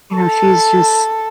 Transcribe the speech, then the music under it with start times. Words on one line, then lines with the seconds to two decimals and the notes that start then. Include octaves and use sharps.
you know, she's just
0.17 A4